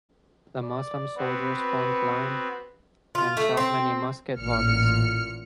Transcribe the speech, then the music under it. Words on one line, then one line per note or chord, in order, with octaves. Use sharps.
The Muslim soldiers formed line and shot many Musket volleys.
D5
B3 C4 F#4 B4
F4
A3
C4
A1 A#2 F6 C#7